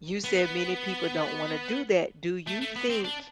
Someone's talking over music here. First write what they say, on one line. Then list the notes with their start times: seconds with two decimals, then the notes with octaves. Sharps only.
you said many people don't wanna do that. Do you think
0.24 B3
2.47 A3
2.61 A3
2.76 B3
2.90 C4
3.04 D4